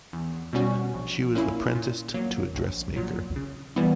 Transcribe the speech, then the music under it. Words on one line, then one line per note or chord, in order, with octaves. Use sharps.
She was apprenticed to a dressmaker.
E2
B2 G3 C#4 F#4
A#1
A#2 A#3 C#4 E4
A#2
F#3 A#3
A#1
A#2 F#3
C#3
E3 G3 B3 E4